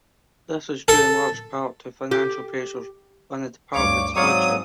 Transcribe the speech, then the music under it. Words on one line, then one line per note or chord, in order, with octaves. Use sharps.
This was due in large part to financial pressures on that department's budget.
A4
G4
D2 G2 C#5 F5 C#6 D6
G#2 F#3 C4 F4 C#5 D5 D#6